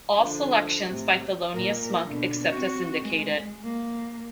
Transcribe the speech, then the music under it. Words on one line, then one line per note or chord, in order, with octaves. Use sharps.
All selections by Thelonious Monk except as indicated.
D3 F3
A2 C3
A#2 A#4
B2 D3
C4 F#4
G#3
A#3